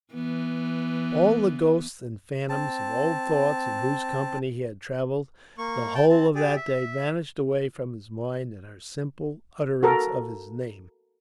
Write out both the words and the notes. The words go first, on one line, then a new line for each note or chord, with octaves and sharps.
All the ghosts and phantoms of old thoughts in whose company he had travelled the whole of that day vanished away from his mind at her simple utterance of his name.
E3 B3
C4 A5
A#3 C#6
G5 A5
C4 A5
G4 G#4 D5
E5
F#4 A4 A#4